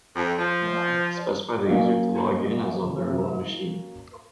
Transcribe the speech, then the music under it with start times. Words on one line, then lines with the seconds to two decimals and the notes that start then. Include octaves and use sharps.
Specify the user to log in as on the remote machine.
0.16 F2
0.39 F3
1.68 F#3 A#3 C#4